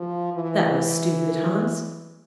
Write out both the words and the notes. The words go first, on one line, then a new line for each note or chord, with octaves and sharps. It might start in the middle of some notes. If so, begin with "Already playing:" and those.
'That was stupid, Hans.
Already playing: F3
E3